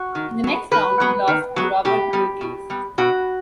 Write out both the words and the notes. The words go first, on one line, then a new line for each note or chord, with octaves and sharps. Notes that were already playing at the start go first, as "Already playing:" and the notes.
In the next round he lost to Robert Milkins.
Already playing: F#4
D#3
F#3 B3
D#3 B4
F#3 B3
D#3
F#3 B3
B2 G4
G3 B3
B2
G3 B3
B2 F#4